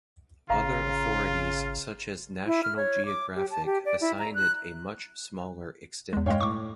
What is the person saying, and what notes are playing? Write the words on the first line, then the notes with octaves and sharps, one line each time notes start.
Other authorities such as National Geographic assign it a much smaller extent.
G#1 C#3 F4 F5 A#5
E4
F6
C#5
D6
G4
A5
G4
D5
E4
A#5
F#6
E2 G#3
G2 G#3 C#5 F5 G5
A2 C#6 D6